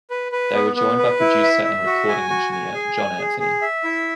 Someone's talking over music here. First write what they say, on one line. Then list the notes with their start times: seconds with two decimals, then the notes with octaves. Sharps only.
They were joined by producer and recording engineer John Anthony.
0.10 B4
0.32 B4
0.55 B3
0.76 B3
0.98 B4
1.20 E4
1.43 E5
1.65 E5
1.86 F#4
2.08 G#5
2.30 F#4
2.52 G#5
2.74 G#4
2.96 G#5
3.18 G#4
3.40 G#4
3.61 E5
3.84 E4